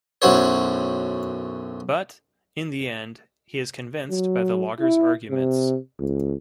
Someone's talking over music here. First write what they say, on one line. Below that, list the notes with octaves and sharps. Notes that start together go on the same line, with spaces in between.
But in the end, he is convinced by the logger's arguments.
B1 F#2 E4 F#4 C5 C#5
F#3
E4
C3
C#2